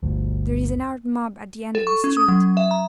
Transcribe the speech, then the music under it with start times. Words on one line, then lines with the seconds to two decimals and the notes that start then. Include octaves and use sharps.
'There is an armed mob at the end of the street.'
0.03 G1 D2
1.75 A4
1.87 C#6
2.04 C#4
2.17 D#6
2.28 F#3
2.57 E5
2.71 A#5